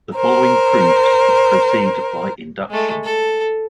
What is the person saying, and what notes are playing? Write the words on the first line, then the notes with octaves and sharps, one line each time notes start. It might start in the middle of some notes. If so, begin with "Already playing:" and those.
The following proofs proceed by induction.
A#4 C5
G#3 A3
A4